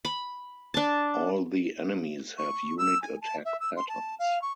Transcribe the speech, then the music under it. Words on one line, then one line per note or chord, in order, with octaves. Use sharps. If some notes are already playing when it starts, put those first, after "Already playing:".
All the enemies have unique attack patterns.
B5
D4 A5
C#6
E6
G#5
A5
E5
E6
C6
A5
F5
C#6